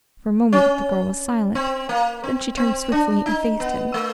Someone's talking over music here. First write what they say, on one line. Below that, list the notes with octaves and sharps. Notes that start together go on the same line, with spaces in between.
For a moment the girl was silent; then she turned swiftly and faced him.
C#4
C4
A#3
C4
C4
D4
D#4
B3
A3